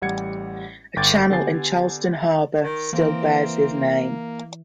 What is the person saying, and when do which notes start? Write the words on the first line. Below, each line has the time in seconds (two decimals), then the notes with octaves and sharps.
A channel in Charleston Harbor still bears his name.
0.02 A1 G3 F#5 G#6 C#7
0.96 G1 G5 D6 G#6 A6
1.30 D3 B3 G4 G#5 A6 C7
2.62 D#3
2.93 E3 A#3 C4